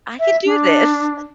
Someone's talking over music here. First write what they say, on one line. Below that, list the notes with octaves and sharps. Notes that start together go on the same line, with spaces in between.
"I can do this."
E5
D4